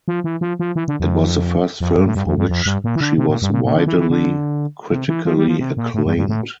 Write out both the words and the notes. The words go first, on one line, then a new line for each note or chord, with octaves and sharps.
It was the first film for which she was widely critically acclaimed.
F3
E3
F3
F3
E3
D3
F2
F2
G2
A2
G2
F2
G2
F2
G2
A#2
E3
D3
C3
A#2
G2
A#2
A#2
D3
E3
E3
D3
C3
E3
F3
G3
F3
C3
A#2
A2
G2
G2
A2